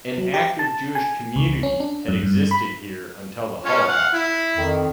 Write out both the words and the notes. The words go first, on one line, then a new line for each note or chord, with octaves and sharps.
An active Jewish community had existed here until the Holocaust.
F#3
G4
A5
G#5
C#2
C#4
D4
F#2
G2
B5
C#4 F4 C#5
F5 F#5
E4
F2 D#3